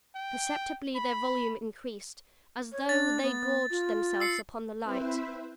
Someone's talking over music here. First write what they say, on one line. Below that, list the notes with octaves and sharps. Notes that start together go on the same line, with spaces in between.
Perceptibly their volume increased--as though they gorged themselves upon the light.
G5
B5
C#5
D4 A6
B3
F4
E6 C7 C#7
C4 E4 B4 C5 E5